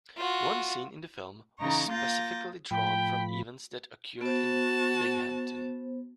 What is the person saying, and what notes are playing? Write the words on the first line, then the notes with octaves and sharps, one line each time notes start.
One scene in the film was specifically drawn from events that occurred in Binghamton.
F4 F#4
C#3 E3 D#4 A#5 C#6
A#3 F4 F5 G6 A6 A#6
A2 F3 G5 B5
B3 F#4 C5 A5